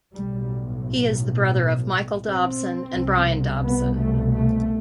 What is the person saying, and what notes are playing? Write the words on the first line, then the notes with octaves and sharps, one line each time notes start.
He is the brother of Michael Dobson and Brian Dobson.
B1 A2 G3
C4
C2 B2
B3
A3
A3